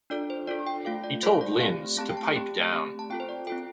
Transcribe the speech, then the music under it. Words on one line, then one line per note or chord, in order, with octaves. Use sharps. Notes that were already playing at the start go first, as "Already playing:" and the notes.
He told Linz to pipe down.
D4 F4 A4 D5
C5
D4 F4 A4 D5
G5
A3 F4 A4 F5
D5
A3 F4 A4 C5
F5
D5
A3 C4 G4 F5
A3 C4 G4 A5
G5
A5
A3 C4 G4
A3 C4 G4
A5
C4 F4 A4 G5
C5
D5
C4 F4 A4 G5